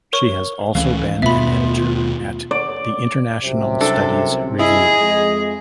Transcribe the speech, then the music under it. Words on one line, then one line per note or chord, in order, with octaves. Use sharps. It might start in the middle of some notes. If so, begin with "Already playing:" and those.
She has also been an editor at the International Studies Review.
A#4 C#5 C#6
C#2 E3 A3 C#4 F5
D#2 B2 A3 B3 F4 E5 B5
D5
C2 F#2 C3
D4 A4 G5
E4 G#4 D#5
F2 G#3